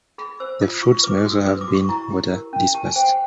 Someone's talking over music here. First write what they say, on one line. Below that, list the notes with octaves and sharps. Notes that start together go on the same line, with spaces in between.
The fruits may also have been water dispersed.
G#4 B5
C5 E6
F4 D#6
F4 C#6
B4 D6
D#6
F#4
E6
B4 D#6
D6
F#4
C#6
E4 A#5
G4
A#4
C#4
G4 A5
G#5
C5 G5
F#5